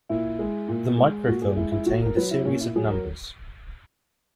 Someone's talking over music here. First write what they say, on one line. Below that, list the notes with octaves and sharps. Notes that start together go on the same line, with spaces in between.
The microfilm contained a series of numbers.
A#2 E4
G#3
A#2
G#3
A#2 F#4
G#4
G#3 E4
E4
A#2 F#4
A#4
F#3 B4
E4
A#2 C#4
E4
F#3 G#4
A#4